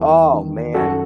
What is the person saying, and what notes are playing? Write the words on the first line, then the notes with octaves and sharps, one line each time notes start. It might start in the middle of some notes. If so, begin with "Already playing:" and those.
Oh, man.
Already playing: E2 G3
D#3
F#2 F#4 A4